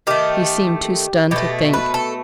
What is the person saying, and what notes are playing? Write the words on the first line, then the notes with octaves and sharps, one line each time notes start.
He seemed too stunned to think.
D#3 A3 G4
B2 A3 G4
B4
A4